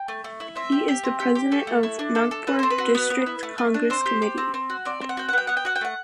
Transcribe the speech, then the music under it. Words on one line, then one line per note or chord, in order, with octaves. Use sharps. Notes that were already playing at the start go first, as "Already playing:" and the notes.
He is the President of Nagpur District Congress Committee.
Already playing: G5
A3
A3
E4
C4 E5
G4
G4
C4
G4
G4
A3 A4
A3
E4
D4
A4
A4
C4 B4
C4 C5
B4
F#4
B3
B3
E4
A3
A3
D4
C4 C5
G4
G4
C4
C4
F#4
C4 D5
C4
F#5
F#4 G5
F#5
B3 G5
B3 F#5
G5
F#4 F#5
G5
A3 F#5